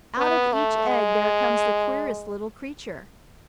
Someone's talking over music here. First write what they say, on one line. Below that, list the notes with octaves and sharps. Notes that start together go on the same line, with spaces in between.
Out of each egg there comes the queerest little creature!
B3
A3
G#3